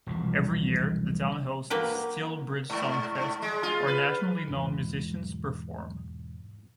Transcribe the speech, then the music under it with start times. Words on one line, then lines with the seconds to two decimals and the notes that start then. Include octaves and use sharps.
Every year, the town hosts "Steel Bridge Songfest," where nationally known musicians perform.
0.06 E1 C2 F3
1.70 A#3 F#4 B4 G5
2.70 G#2
3.15 G#2
3.42 G#3
3.63 F4
3.87 B4
4.48 E1 G#2 E3